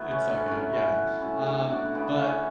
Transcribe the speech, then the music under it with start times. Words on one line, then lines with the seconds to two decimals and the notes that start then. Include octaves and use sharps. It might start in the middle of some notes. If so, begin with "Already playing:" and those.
it's so good, yeah. Um, but
Already playing: A2 F#3 A3 B3 E4
0.11 C#4
0.29 B3 D4
0.48 A2 F#3 A3 C#4
0.73 B3
1.21 A2 F#3 A3 C#4 E4
1.46 D4 F#4
1.70 D4 F#4
1.85 E4
1.95 C#3 E3 A3 B3 D4
2.12 D4
2.19 C#4